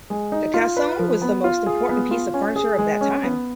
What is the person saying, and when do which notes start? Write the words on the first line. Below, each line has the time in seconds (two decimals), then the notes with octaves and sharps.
The cassone was the most important piece of furniture of that time.
0.10 G#3
0.32 D#4
0.54 F4
0.77 B4
0.99 F3
1.22 B3
1.44 F4
1.66 G#4
1.89 B3
2.11 F4
2.34 C#4
2.56 G#4
2.78 G#3
3.01 C#4
3.23 B3